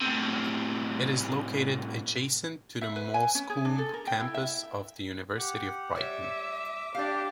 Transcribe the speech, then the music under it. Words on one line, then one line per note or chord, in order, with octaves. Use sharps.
It is located adjacent to the Moulsecoomb campus of the University of Brighton.
A2 C3
E5
B4
G#5
C#4
G#4
D4
A4
A#4
G5
E4
E5
G4 F#5
G3 C#5 E5 D6
D4 G4 D5 F5